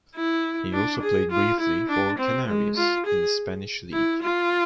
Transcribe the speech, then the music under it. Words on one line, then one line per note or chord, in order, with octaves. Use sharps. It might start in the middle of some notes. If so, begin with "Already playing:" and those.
He also played briefly for Canarias in the Spanish league.
E4
D4
G#4
F4
E4
D4
C4
G#3
F4
G#4
E4
F4